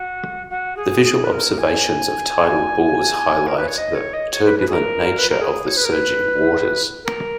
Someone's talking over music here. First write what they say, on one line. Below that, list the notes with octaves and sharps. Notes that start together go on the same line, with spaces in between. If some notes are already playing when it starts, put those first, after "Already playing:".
The visual observations of tidal bores highlight the turbulent nature of the surging waters.
Already playing: F#4
F#4
G#4
G#4
B4
A#4
G#5
A#4
B4
C#5
D#5
C#5
D#5
C#5
B4
B4
G#4
A#4
B4
A#4
G#4
C#5
B4
A#4
B4
A#4